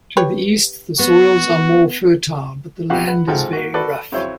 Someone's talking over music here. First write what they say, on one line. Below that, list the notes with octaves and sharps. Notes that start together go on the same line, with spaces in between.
To the east, the soils are more fertile, but the land is very rough.
G4 B4 C#5
B3 F#4
F2 B2 F#4 G4 F5 F#5
B4 F#5
G#1 G#2 F3 A4 F#5 G5
A#3 F#4
F#4 A4 B4 D5
F2 F#3 E4 C5 C#5 C#6